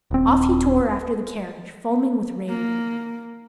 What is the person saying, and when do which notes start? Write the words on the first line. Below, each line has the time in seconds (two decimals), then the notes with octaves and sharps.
Off he tore after the carriage, foaming with rage.
0.11 D#1 C4
2.49 A#3